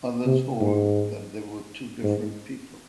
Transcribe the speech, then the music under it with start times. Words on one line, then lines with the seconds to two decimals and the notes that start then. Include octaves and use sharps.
Others hold that they were two different people.
0.26 C3
0.61 G#2
2.03 G#2